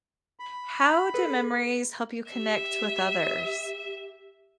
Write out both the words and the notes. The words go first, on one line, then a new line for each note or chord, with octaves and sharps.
how do memories help you connect with others?
B5
G#4 A4 B4
G4 E5